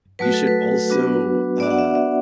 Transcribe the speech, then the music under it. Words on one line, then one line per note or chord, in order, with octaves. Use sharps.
You should also, uh,
F#3 A3 F#4 B4
A4
B4
F#3 B3 D4 F#4
B3 D4 F#4 D5
F#5
E5
E5